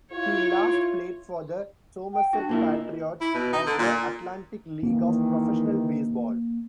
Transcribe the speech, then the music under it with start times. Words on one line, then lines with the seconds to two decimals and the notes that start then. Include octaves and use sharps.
He last played for the Somerset Patriots of the Atlantic League of Professional Baseball.
0.12 E4 F4 C#5
2.13 G5
2.33 D4 F#4
2.49 A#2 A#3 E4
2.66 D#5
3.21 E4
3.34 B2
3.53 D#4
3.66 D3
3.79 A#2
4.83 D#3 E3 A#3